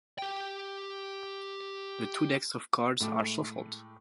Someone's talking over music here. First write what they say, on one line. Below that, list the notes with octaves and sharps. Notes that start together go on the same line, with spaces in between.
The two decks of cards are shuffled.
G4 G5
A2 G#3 A3 G5 A5 D6